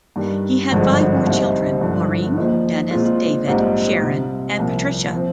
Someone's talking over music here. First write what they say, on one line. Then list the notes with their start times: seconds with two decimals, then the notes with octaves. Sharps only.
He had five more children, Maureen, Dennis, David, Sharon and Patricia.
0.16 G2 D#3 G3
0.71 G#1 G2 D3 F3 G#3
1.26 C2 C3 G3 C4 D#4
1.81 G#1 G2 D3 F3
2.36 A#1 A#2 F3 G#3 D#4
2.91 A#2 G#3 C4 F4
3.47 A#1 G#2 G3 C4 D#4
4.02 C3 G3 C4
4.57 C2 A#2 F3 A#3
5.14 F3 C4